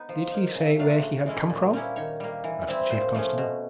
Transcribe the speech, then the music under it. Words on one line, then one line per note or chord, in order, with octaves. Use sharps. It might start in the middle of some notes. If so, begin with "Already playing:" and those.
"Did he say where he had come from?" asked the chief constable.
Already playing: B3 D#4
F3
A#3 D#4
C#3 D#5
E5
F#3 A3 D4 F4 F5
E5
C#3 D#5
E3 G#3 C#4 E4
A#2
G3 A#3 C#4 E4
D#3 C#5
G3 A#3
E3
G3 C4 E4
A#2 C5
F3 A3 C#4
B2